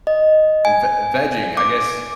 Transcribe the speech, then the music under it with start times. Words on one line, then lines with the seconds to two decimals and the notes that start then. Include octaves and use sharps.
and v vegging, I guess,
0.07 D#5
0.65 G#5
1.57 D6